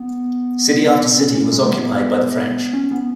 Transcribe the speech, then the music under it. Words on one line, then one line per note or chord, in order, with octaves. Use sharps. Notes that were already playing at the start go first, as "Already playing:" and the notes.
City after city was occupied by the French.
Already playing: B3
C#4
C#4
G#3
A3
B3
C#4
B3